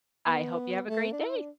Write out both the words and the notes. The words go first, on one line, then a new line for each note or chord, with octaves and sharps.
I hope you have a great day.
B3
A3
D4
E4
D4